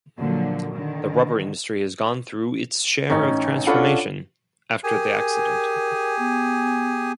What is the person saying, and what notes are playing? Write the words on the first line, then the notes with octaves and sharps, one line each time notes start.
The rubber industry has gone through its share of transformation after the accident.
A#2 D3 F3 F#3 A#3
D3 D#3
A1 C#4 D#4
C#4 D4 F4 A4 F#5 B5
G4 G#4 A#4 G#5
B3